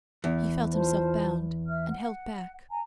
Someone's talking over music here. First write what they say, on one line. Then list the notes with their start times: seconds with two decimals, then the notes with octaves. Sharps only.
He felt himself bound and held back.
0.24 E2
0.72 F4 C5 A5
1.67 E5 F6
1.89 F#5
2.68 G#5 A#5